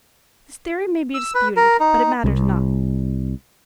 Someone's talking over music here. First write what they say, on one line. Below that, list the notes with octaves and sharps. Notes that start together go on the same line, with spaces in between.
This theory may be disputed, but it matters not.
E6
B4
A#4
D#4
C2